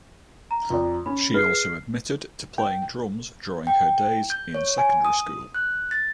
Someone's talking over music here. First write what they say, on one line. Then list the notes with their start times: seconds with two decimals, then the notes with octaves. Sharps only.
She also admitted to playing drums during her days in secondary school.
0.51 A#5
0.70 F2 D5
1.06 C#4 B5
1.34 G#4 B4 F6 C7
2.58 G5
3.67 G5
4.30 G6
4.55 C#5
4.78 G#5
5.05 D#6
5.55 F#6
5.91 A6